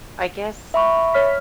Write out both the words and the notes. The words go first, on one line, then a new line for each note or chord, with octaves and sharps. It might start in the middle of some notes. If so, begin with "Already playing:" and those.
I guess
E5 B5 C#6
C#5 F6 B6